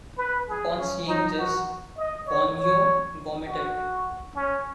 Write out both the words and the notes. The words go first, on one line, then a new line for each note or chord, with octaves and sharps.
Upon seeing this, Wonhyo vomited.
B4
G#4
C#4
D#4
F#4
D#5
C#5
C#5
F#4
C#4